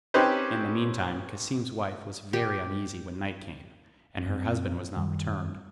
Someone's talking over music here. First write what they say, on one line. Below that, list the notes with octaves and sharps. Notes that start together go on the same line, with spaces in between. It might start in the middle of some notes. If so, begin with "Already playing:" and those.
In the meantime, Cassim's wife was very uneasy when night came, and her husband was not returned.
C4 C#4 D#4 G4 B4 C5
G4
F#2 C4
F#2 D#3 G3